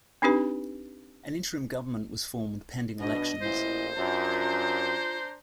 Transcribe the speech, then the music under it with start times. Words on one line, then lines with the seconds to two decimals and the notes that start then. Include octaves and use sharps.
An interim government was formed pending elections.
0.22 C4 D4 D#4 G4 B4
2.99 B2 D4 D#5
3.42 A1 A#2 E4 C5
3.96 F#2 D4 F4 A#5